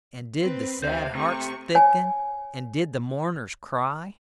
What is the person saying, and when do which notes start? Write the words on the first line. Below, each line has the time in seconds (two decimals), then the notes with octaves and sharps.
And did the sad hearts thicken, And did the mourners cry?
0.41 C4 B4
0.84 D2 C5 E5 F5
1.15 C3 A3 C#6
1.75 C#5 G#5